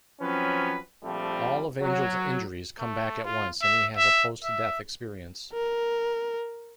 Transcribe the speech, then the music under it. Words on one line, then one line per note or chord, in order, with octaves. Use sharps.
All of Angel's injuries come back at once and he has a post-death experience.
F3 F#3 C4 C#4 B4
A#1 F3 G3 A3 C4
F#3
A3
F4
E5
E5
E5
A#4